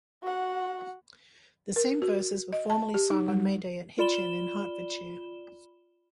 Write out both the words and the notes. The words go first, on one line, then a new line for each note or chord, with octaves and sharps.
The same verses were formerly sung on May Day at Hitchin in Hartfordshire.
F#4 F#5
A#4
F#4
D#5
A5
G4
D#4
G3
F4 D5 B5 E7 G7